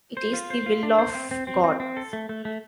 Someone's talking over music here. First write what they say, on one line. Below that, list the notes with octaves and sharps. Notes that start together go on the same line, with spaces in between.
It is the will of God!
C5
F4
C5
F4
D4
C5
C4
C4
C4
C4
C4
A4
A3
A3
A3